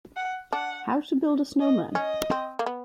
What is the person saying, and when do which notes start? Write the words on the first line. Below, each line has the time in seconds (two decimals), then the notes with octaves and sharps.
How to build a snowman.
0.17 F#5
0.53 D4 F#5
1.60 D#5
1.95 C#4 D#5
2.31 C4
2.59 A#3
2.66 B3